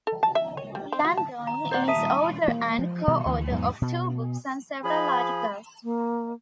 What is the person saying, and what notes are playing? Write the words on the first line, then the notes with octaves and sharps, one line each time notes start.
Langone is author and co-author of two books and several articles.
A4
A5
E5
C#5
G3
C4
F#4
A5
A#5
C5 D5 F#5
E5 A5 D#6 D#7
A#3
F3
B2 D#3 G3
D2 E3
E2 G#2 F#3 B3
B2
F3 G#4 B5
A#3